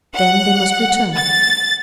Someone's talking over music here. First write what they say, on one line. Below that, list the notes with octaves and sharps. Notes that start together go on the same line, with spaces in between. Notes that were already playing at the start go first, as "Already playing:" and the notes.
Then they must return.
F#5
A6